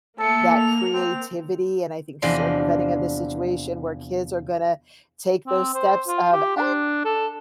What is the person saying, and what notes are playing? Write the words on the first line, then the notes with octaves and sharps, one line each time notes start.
that creativity, and I think circumventing of this situation where kids are gonna take those steps of, "Uh,
A3 A#3 A4 C#7
F7
C4
E2 C3 F3 D4 D#5 C6
C4
C5
F4
G4
D4
A4